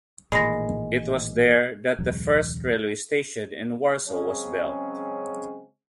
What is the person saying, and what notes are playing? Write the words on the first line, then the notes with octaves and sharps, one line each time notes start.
It was there that the first railway station in Warsaw was built.
A1 A#2 D#3 G#3 B5 A#6
E1 C#2 F#3
C#3 F#3 G#3 C4 C#4